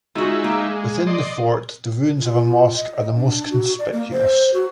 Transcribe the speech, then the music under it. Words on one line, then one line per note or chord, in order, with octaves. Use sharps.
Within the fort the ruins of a mosque are the most conspicuous.
G#3 D#4 F4 F#4 E5
A#3
G#3
D5 D#5 C6
F4
D#5
D4
F#4
D5
A#3
C5
F#4